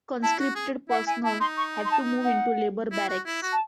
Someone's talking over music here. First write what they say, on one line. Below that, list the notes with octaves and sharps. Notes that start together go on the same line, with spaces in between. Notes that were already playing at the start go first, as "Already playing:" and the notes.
Conscripted personnel had to move into labour barracks.
E4 A5
F#4
G#4
E4 F#5
E4 G#5
E4 A5
D#4 C6
C#6
C6
A5
F#5
E4
F#4
E4
F#4
A5